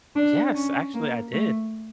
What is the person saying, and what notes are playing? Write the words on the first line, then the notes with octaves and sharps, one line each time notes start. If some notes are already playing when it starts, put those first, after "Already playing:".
Yes, actually, I did.
D4
C#4
A#3
A3